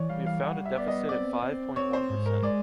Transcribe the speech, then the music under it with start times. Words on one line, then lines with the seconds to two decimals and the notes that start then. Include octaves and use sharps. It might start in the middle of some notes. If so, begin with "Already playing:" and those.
We have found a deficit at five point one percent.
Already playing: E3 C#5 D5
0.09 G3 F5
0.26 F5
0.43 G3 F#5
0.66 E5
0.76 B3 D5
0.88 D#5
1.09 C4 D5
1.43 C4
1.76 C4 C#5
1.93 C5
2.10 G#2
2.26 A#4
2.43 G#3 D5